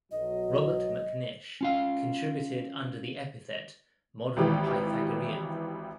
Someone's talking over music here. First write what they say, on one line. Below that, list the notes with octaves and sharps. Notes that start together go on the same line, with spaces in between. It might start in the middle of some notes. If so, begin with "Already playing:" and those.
Robert Macnish contributed under the epithet, Modern Pythagorean.
B1 F#3 D#5
C#4 F4 F5
G#1 E3 G4